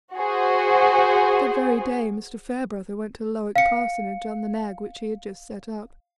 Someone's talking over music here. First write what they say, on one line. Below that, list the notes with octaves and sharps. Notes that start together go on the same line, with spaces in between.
That very day Mr. Farebrother went to Lowick parsonage on the nag which he had just set up.
F#4 G#4 C5
F5 C#7